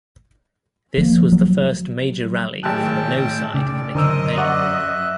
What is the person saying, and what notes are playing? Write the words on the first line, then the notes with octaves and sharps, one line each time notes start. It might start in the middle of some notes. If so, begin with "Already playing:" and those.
This was the first major rally for the "No" side in the campaign.
F3 G3 A#3
F#3
G#1 A2 A3 G5 A5 F#6
C#3 D5
F#2 D3 A#4 C5 D#5 E6
D5 E5 F#5 C#6 F#6